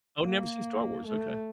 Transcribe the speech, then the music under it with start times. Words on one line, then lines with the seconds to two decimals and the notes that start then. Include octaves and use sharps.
Oh, never seen Star Wars, okay.
0.22 A#3
1.07 A3